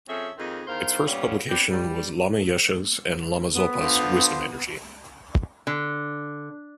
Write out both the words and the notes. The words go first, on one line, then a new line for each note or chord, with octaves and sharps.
Its first publication was Lama Yeshe's and Lama Zopa's Wisdom Energy.
F3 C4 C#4 G#4 A4 E5
F2 D#3 A#3 C4 D#4 G#4
E2 D#3 A#4 C5 F5
G2 A#2 G3 B3 C#4 F4
B3 C4 D4 G4
G3
B3
D3 F4 C5
D3